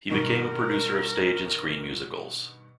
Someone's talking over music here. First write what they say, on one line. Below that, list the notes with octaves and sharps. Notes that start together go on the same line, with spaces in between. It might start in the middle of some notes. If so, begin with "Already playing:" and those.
He became a producer of stage and screen musicals.
G2 B2 D#3 A#4